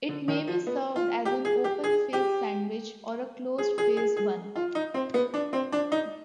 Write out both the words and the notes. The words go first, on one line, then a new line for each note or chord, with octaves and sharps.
It may be served as an open face sandwich or a closed face one.
D3
D#3
F3
B3
F4
G4
G#4
G4
G#4
G4
G#4
G#4
G#4
G#4
F4
D#4
C4
B3
D4
C4
D4
D#4